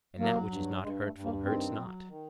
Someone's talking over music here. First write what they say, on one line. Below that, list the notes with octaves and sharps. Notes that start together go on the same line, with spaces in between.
And that which is not hurtful hurts not?
F#3 A#3
G2
G2 G#3
A3
G2
A#3
D#3 C4
F#3
D#3